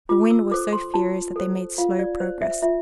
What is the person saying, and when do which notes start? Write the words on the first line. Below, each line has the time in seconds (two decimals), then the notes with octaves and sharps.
The wind was so fierce that they made slow progress.
0.09 F4 D6
0.30 E6
0.51 A4 C5 D6
0.73 C6
0.94 F4 A5
1.36 A4 C5
1.78 F4 F5
1.99 D5
2.20 C5
2.41 E5
2.62 F4 E5